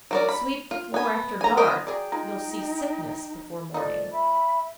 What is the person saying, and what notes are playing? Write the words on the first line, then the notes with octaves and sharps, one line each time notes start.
Sweep the floor after dark, you'll see sickness before morning.
F#3 A#4 D5
B5
F4
B3 G#5
G#5 A#5
B3 A#4 C5 D#5
F#3 G#4 D5 G5
G#3 D#4 F4 A#5
F3 A3 D#4 D5
E5 B5